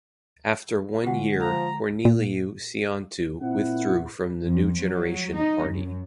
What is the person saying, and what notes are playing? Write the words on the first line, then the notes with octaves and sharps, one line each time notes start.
After one year Corneliu Ciontu withdrew from the New Generation Party.
D3 G#3 F4 G4 F#5
F3 A#5
A#2
A#2 C4 E4 F#5
F2
F#3
D#4
F#2